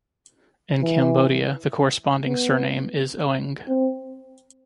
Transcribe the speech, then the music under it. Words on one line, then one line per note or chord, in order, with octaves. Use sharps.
In Cambodia, the corresponding surname is Oeng.
E3
B3
C4